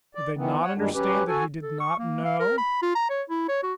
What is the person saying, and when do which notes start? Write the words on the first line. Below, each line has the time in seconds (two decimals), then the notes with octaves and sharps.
Did they not understand that he did not know?
0.15 D5
0.37 D#3 E3 B3
0.61 C#5 F#5
0.78 G2 A#2 D#3 G3 G#3 D4
0.94 F#3 C#4 G4 B4
1.27 F#4 A4 G#5
1.62 A4
1.80 C#6
1.99 A#3
2.25 F5
2.39 A#4
2.58 B5
2.82 F4
2.95 A#5
3.09 C#5
3.30 E4
3.48 C#5
3.63 F#4